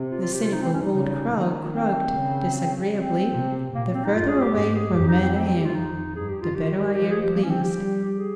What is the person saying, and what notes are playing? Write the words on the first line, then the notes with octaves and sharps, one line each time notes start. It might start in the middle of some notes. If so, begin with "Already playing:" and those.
The cynical old Crow croaked disagreeably, "The further away from men I am, the better I am pleased."
Already playing: C3
F4
F4
G4
F4
D#4
C4
C#4
D#4
C#3
D#3
C4
C#3
C4
C3
A#2 A#3
C4
D#4
G2 F4
G#4
G4
G#2 G4
G#4
F2 G4
D#4
C4
C4
C4
G4
F4
D#4
G2 G#4
G4
F4
D#3 G4
F3 G4
G#4
G4
A#3
C#4
C4
G4
G3
G#4